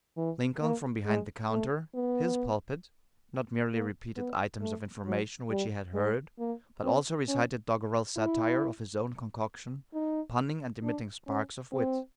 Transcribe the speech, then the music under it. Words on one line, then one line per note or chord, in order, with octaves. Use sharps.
Lincoln, from behind the counter--his pulpit--not merely repeated items of information which he had heard, but also recited doggerel satire of his own concoction, punning and emitting sparks of wit.
E3
A#3
G#3
A3
B3
A#3
B3
A3
F#3
G3
G#3
A#3
C4
C#4
E4
D#4
D4
C#4
C4